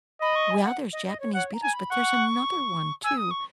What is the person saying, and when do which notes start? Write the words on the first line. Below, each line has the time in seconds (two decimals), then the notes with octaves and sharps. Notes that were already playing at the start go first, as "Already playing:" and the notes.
Well, there's Japanese beetles, but there's another one too.
0.21 D#5 B5
0.35 C#6
0.50 G#5
0.64 F#5
0.92 D#5
1.07 D#5
1.20 C#5
1.35 C#5 F#5
1.53 A#5
1.63 G#5
1.73 B5
1.91 F#5 C#6
3.04 G#5 E6
3.17 D#6
3.30 C#6